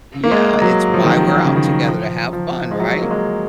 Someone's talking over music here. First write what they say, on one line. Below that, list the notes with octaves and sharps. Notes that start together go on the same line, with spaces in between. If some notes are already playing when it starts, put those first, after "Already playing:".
Yeah, it's why we're out together, to have fun, right?
A#3
G#3
G#3
F#3
F3
D#3
F3
F3
C#3
D#3
F3
F3
G#3
F#3
A#3
G#3